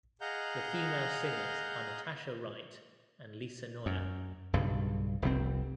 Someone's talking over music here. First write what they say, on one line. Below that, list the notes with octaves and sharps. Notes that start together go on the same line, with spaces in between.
The female singers are Natascha Wright and Lisa Noya.
G#4 D#5 F5 F#5 A#5 G6
F#2
B1 G2 C#3 G3
F1 C2 G3 C4